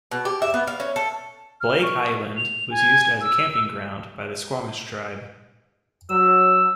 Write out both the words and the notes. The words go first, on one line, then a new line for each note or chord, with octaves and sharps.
Blake Island was used as a camping ground by the Suquamish tribe.
B2
G4
E5
B3
F5
C#4
A4
F6
C#6
F7
G#5
E6
F#3 E6